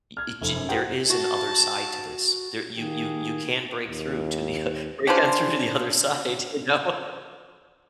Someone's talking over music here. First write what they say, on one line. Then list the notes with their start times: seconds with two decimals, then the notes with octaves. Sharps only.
ee gee there is an other side to this. There you you you can break through to the uh, break on through to the other side. You know?"
0.17 F6 G#6
0.41 F1 F2
0.56 F#2
0.69 F#4 G#4 A#4 C5 F#5 G5
1.09 F#4 A5
2.77 D#3 A#3 G4 G#4
3.88 D#2
5.07 C#4 D4 F4 C5